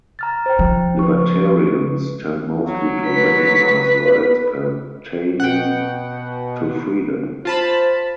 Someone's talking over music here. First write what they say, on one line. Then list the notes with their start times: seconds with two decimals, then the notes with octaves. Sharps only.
Libertarians tend mostly to recognize rights pertaining to freedom.
0.19 A#5 F6 A6
0.46 C5 G5
0.59 F3
0.99 B4 C#6
2.66 F#3
3.06 B4 B6
5.40 B2 F#5 G5
7.45 F4 C5 A5 B5